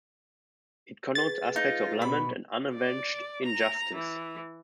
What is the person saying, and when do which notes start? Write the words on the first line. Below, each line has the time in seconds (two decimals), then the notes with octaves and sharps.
It connotes aspects of lament and unavenged injustice.
1.15 G#4 B4 A6
1.56 D#4 F4
2.02 B2 B5
2.75 D5
3.44 A#5
3.94 E3